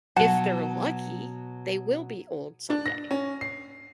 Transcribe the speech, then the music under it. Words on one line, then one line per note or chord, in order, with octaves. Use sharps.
If they're lucky, they will be old someday.
B2 F#3 F#5 A5
D4
A#6
C#4
C7